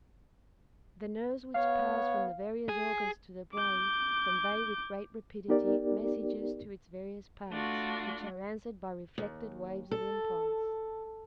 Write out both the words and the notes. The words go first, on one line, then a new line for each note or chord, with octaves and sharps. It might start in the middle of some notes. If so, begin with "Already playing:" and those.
The nerves which pass from the various organs to the brain convey with, great rapidity messages to its various parts, which are answered by reflected waves of impulse.
B3 C#5 F5
G#4
D6 G6
B3 D#4 G4 A#4 D5
A3 D4 F4 F#4
D#2
A4